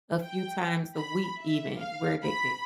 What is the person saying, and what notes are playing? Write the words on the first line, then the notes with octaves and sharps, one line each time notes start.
a few times a week even, we're addicted
G5
B5
E5
F5
B5